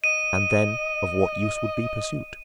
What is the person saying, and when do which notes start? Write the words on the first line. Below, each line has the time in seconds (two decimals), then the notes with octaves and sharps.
And then of what use would be pursuit?
0.04 D#5 D#7